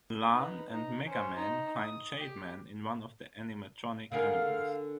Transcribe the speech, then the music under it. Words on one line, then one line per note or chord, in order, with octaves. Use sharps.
Lan and MegaMan find ShadeMan in one of the animatronic animals.
D#4 B4
D#4
C#4 C5
D#4
D#6
G4
D3 G#4 A#4 F5